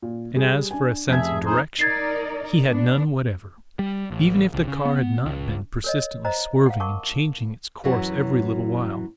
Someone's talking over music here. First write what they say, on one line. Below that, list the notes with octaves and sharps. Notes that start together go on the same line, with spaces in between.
And as for a sense of direction, he had none whatever--even if the car had not been persistently swerving and changing its course every little while.
A#2
G3 G#4
D4 G#5
F1 G#4 E5 G#6
D#4 G#4 C5
D#4 A#4 D5 G#6 A6 C7
B3 D4
G3
A1
C2
C#3
B3
C#2
A#4 C#5 D#5
C5 D#5 A#5
F5 F#5
A#4 A5 C#6 D6
F#2 E3 F#3 F#4